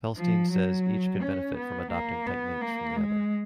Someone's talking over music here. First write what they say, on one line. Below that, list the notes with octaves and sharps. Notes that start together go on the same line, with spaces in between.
Felstein says each could benefit from adopting techniques from the other.
F3
F#3
C#4
B3
A#3
B3
A#3
G#3